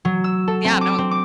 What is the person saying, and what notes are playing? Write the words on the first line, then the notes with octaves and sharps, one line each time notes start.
Yeah, knowing
F#3
E6
A4
C4
D6
C4
D6